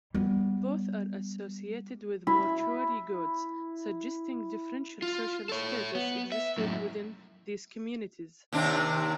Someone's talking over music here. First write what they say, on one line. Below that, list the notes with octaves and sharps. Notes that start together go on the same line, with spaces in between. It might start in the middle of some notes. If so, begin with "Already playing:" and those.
Both are associated with mortuary goods, suggesting differential social status existed within these communities.
G3 B3
E4 E5 B5
F4
A4 C#5
B3
E5
F#2 A2
D#2 C3 D4